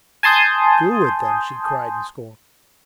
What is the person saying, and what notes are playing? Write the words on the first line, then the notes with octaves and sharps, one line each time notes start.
"Do with them!" she cried in scorn.
G#5 A5 C6 D#6 G6